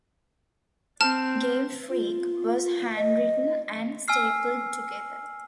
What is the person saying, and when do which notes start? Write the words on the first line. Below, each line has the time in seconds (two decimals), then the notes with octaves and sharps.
"Game Freak" was handwritten and stapled together.
1.01 C4 A5 F6
1.90 F4
2.97 D#5
4.08 G#5 E6 F6 C7